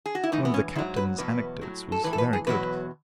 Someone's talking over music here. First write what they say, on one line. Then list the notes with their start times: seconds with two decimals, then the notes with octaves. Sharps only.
One of the Captain's anecdotes was very good.
0.06 G#4
0.15 F#4
0.24 E4
0.32 A2 E3 D#4
0.45 B3
0.54 C#4
0.75 G#2 F#3 E4
0.96 B4
1.18 E2 B2 F#3 B4
1.61 A2 F#3
1.92 A4
2.04 A2 E3 B4
2.13 A4
2.18 B4
2.33 G#4
2.47 E2 B2 F#3 B4